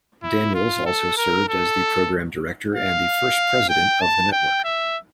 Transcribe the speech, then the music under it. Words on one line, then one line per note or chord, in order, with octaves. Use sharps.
Daniels also served as the program director and the first president of the network.
E4
F4
A4
A#4
A4
F5
G5
A5
G5
E5